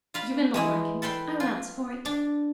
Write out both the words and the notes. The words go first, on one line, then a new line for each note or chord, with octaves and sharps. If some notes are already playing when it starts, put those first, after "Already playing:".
"You will not like him, I will answer for it."
F4 F5 B5
E3 G#3 E4
A4 B4 G5 C6
F4
D4